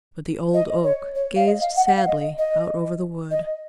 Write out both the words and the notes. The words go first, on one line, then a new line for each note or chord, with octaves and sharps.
But the Old Oak gazed sadly out over the wood.
D#5
C#5
C#5
F5
D#5
F5
F#5
F#5
F5
D#5
D#5
D#5